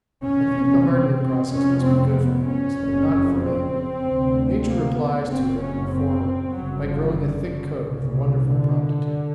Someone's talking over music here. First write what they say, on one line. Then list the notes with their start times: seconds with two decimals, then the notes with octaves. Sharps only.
I think the hardening process must be good for animals though not for men; nature replies to it in the former by growing a thick coat with wonderful promptitude.
0.24 F1 E2 B2 C#4
0.88 C4
1.19 C4
1.50 F1 F2 C3 C#4
1.82 C4
2.13 B3
2.45 C#4
2.76 F#1 F2 C#3
3.40 C4
4.02 D2 C3
4.66 A#3
4.97 B3
5.29 F#1 F#2 C#3 C4
5.60 C#4
5.92 C4
6.54 G1 F#2 C#3 F#3
6.86 F3
7.17 D3
7.49 C#3
7.81 C2 A#2
8.44 D3